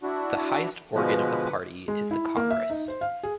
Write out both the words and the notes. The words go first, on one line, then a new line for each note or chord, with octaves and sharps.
The highest organ of the party is the congress.
D4 E4 F#4
B2 D3 F3 G#3 B4
G#3
E4
A#3
E5
D#4
C5
F5
G#4